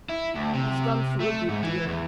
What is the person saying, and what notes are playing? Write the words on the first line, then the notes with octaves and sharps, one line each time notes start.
He's gone through a good deal.
E4
D2
C3
A3
G#2
E3
E2